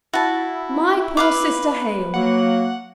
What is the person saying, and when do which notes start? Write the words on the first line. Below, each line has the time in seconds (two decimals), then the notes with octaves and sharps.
My poor sister Hale!
0.13 E4 F#4 A5
1.17 B4 F5 D6
2.14 F#3 A#3 F#5